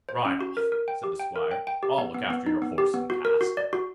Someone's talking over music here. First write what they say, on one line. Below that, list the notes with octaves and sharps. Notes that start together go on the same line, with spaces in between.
'Ride off', said the Squire; 'I'll look after your horse and cask.'
C5
C#4
F#4
A#4
A#4
G5
G4
G5
A#4
G5
G5
G4
B3
B3
B3
D#4
B3
G4
B3
F#4
A#4
F#4
D5
F#4